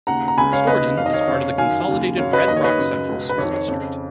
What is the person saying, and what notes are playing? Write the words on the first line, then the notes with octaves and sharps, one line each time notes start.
Storden is part of the consolidated Red Rock Central School District.
D#2 C#3 F#5 A#5
A#5
C#2 C#3 G#5 B5
C#5 F5
D#2 C#3 B4 D#5
F2 D#3 F5
D#5
C#5 F5
D#5
F2 C#3 C#5 F5
F#2 D#3 F5 G#5
D#2 C#3
F#2 C#3 C#5 F5
B4 D#5
D#2 D#3 D#5
C#5
B4 D#5
F#2 C#3
C#2 B2
B4
F2 D#3 C#5
C#5
F2 C#3